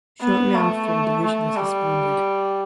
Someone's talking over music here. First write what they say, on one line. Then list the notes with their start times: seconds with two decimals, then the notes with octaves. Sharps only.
Shortly after the division was disbanded.
0.21 B3
0.55 A3
1.23 A3
1.56 G3